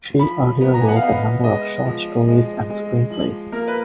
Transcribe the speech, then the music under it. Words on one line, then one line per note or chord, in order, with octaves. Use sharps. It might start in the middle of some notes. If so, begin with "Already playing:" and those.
She earlier wrote a number of short stories and screenplays.
F3 B5
B3
A#5
G#5
F#5
F5
B3 D#5
G#3 D#5
F3
G#3
G#3
F3
A#3 A#4
B4